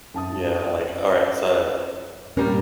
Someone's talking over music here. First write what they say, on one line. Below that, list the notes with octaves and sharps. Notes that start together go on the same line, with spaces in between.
Yeah, like alright, so I
F#2 A5 D#6
G2 A#2 G3 C#4 A#4